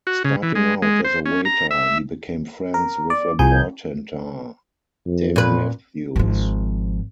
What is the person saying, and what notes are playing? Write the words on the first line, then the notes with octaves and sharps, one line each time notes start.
Starting out as a waiter he became friends with a bartender, Dave Matthews.
F#4
C#3
E3
G#3
G#3
C5
C#4
A#5
E5
A#4
D5
C2 F3 G#4 G#5 G6
F2
A#2 B4
G#1 F3